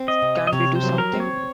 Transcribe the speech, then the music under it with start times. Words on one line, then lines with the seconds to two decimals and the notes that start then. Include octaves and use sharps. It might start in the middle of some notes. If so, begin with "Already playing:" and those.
Can't we do something?
Already playing: C4
0.08 D#5
0.22 C3
0.47 D#5
0.53 C3 C#5
0.75 C5
0.83 F#3
0.98 A#4
1.13 C4
1.20 C#5